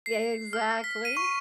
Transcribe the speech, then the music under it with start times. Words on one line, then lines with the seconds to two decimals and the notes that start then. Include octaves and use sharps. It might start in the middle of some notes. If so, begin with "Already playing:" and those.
Yeah, exactly,
0.06 C7
0.53 F6
0.84 B6
1.05 D#7
1.17 C#6